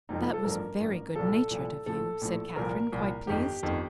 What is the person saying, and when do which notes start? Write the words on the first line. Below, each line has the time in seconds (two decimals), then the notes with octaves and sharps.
"That was very good-natured of you," said Catherine, quite pleased.
0.09 F1 F2 C3 F3 D#4
0.21 F4
0.33 A4
0.45 A1 G2 F3 A#4
0.80 A1 G2 F3
1.15 C2 A#2 F3 A4
1.50 C2 A#2 F3
1.86 A#1 A2 F3 A4
2.21 A#1 A2 F3
2.56 C2 A#2 F3 A#4
2.92 C2 A#2 F3
3.27 G1 F2 D#3 G4
3.63 G1 F2 D#3